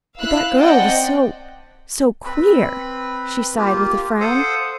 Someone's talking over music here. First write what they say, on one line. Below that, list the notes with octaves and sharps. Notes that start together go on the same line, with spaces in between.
"But that girl was so--so queer!" she sighed, with a frown.
E4 F5 E6 F#6
C4 D5 D#5 F#5 G5 A5
C4 B4 B5
A#3 F4 G4
A4 C5 F5 F#5 D#6